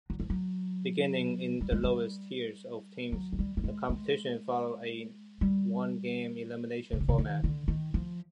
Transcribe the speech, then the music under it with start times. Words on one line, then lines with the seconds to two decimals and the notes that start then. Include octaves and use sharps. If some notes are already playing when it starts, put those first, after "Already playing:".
Beginning in the lowest tiers of teams, the competition followed a one-game elimination format.
0.10 F#3
0.20 F3
0.30 F#3
1.61 G3
1.72 G#3
1.83 G3
3.12 F#3
3.33 G#3
3.39 G3
3.57 G3
3.64 G#3
3.89 G#3
5.41 G3
6.93 C#3
7.00 D3
7.09 C#3
7.18 D#3
7.44 D3
7.68 D#3
7.94 F3